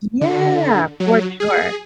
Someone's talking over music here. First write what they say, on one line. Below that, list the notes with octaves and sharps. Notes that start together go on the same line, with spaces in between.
Yeah! For sure.
D3
F#3
G#4